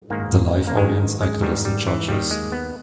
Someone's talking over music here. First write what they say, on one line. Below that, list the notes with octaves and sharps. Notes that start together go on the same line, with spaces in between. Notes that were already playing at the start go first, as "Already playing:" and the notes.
The live audience acted as the judges.
G#2 D#3 A#3
A#3
G#2 D#3 G#3
G#3
G#2 D#3 G3
G3
E3
D#2 D#3 G3
G#3
B3